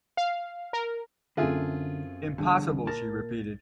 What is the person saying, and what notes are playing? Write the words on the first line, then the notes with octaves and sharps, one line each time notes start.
"Impossible," she repeated.
F5
A#4
F#2 D3 A3 C4 F4 G#4
E2 G2 D3
A#2 A#4 A5 A6